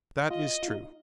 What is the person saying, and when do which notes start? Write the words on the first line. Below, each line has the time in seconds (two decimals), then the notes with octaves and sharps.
That is true.
0.30 F4 D#5
0.62 F4
0.68 D#4